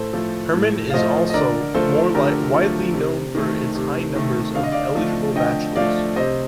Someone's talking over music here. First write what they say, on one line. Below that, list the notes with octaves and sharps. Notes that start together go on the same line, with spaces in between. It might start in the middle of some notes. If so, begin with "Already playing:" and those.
Herman is also more widely known for its high number of eligible bachelors.
Already playing: A2 A4 C5
F3 A3
A2
F5
F3 A3 C5 D#5
D#5
D3 A#4 D5
F3 A3 A4 C5
D3 G4 A#4
F3 A3
C3
D#3 A3
C3
D#3 A3
D3 F5
D#5
D5 F5
F3 A3
D3 D#5 G5
F3 A3 D5 F5
C3 C5 D#5